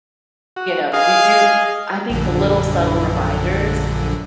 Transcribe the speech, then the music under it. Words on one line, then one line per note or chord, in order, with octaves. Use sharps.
you know, but we do I think little, subtle reminders,
F#4
G#4 D#5 F5
A#1 F#2 D3